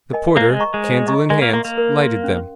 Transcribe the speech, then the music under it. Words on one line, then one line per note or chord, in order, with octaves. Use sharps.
The porter, candle in hand, lighted them.
A#4 D#5 G#5
A#3 C5
G#3
D#5 A#5 C#6
G#3
C5
D#5 A#5 C#6
G#3 A#4
A#3
A#3 F5 C6
A#3
A#4
F5 C6
C#4